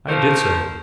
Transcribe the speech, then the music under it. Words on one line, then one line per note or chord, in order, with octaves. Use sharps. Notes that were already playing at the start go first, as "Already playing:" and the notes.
I did so.
F3 A3 A#3 A#4 C5